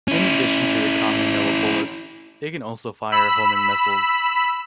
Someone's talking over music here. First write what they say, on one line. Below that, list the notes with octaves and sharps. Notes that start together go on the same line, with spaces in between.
In addition to the common yellow bullets, they can also fire homing missiles.
C#4 E4
B5 E6